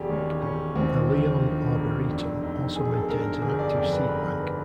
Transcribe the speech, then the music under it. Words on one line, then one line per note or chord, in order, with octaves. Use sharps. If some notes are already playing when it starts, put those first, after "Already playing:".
The Lyon Arboretum also maintains an active seed bank.
Already playing: E1 F3 G4 G#4 D5
D#2 C#4
E1 C#4
D#2 C4
F3
D3
E1
F2 D4
F2 D#4
F2 G#4
A4
D3 A#4
G1 G#4
D5
F2
B4
F2 A#4
B4